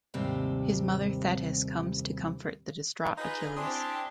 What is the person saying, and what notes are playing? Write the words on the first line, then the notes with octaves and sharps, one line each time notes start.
His mother Thetis comes to comfort the distraught Achilles.
D#2 G#2 C3 G3 C4 G4
D#4 F4 G#4 B4
C4 D4 E4 G4 G#5 C6 D#6